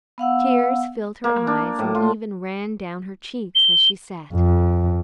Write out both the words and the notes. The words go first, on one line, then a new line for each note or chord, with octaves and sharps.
Tears filled her eyes, and even ran down her cheeks as she sat.
B3 F5 F#5 E6
A#3
D4
A2
F4
G7
F2